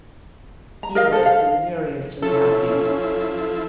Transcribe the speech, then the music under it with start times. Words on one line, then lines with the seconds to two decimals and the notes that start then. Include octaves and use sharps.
He was deliriously happy.
0.83 A#5
0.95 A#4 D#5 F5
1.12 A4 C5
1.26 F5
2.22 F3 C#4 E4 A4